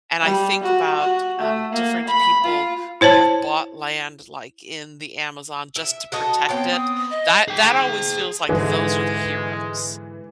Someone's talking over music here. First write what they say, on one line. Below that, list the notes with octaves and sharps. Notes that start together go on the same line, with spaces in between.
And I think about, um, different people who have bought land, like, in the Amazon just to protect it, that that always feels like those are the heroes.
G3
F#4
F#4
A3
A#3
B5
F4
E4 C5 C#5 A5
E5
F#4 A4 D#5
B3 C4 C#5 G5
D#6
D#5
G#4 G5
G#2 D3 E3 G#3